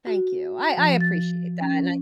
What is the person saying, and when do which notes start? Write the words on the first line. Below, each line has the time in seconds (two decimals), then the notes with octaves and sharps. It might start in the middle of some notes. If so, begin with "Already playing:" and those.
Thank you. I I appreciate that, and I
0.07 F#4
0.77 F3
1.01 A6
1.61 C#4